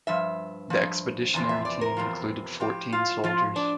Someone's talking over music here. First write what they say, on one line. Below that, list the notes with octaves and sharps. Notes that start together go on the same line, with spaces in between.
The expeditionary team included fourteen soldiers.
G2 F3 E5
G2 F3
E2 C3 F3
E5
D5
A#4
E2 C3 F3
A2 F3 G4
F4
A2 F3 F4
D4